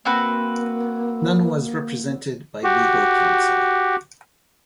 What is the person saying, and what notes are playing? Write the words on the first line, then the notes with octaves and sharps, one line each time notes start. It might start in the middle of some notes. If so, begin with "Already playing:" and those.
None was represented by legal counsel.
A#3 C4 F#4 B4
F#4 G4